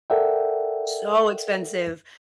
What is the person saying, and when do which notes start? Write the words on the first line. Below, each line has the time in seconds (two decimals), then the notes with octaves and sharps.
So expensive.
0.10 A4 A#4 D5 E5 F#5 G5